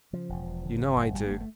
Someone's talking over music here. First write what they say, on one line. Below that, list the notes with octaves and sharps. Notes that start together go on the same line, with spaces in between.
"You know I do."
C#3 F3
E1
E1
D3
G1
G1
G1 G3
A#3
G1 A3
A3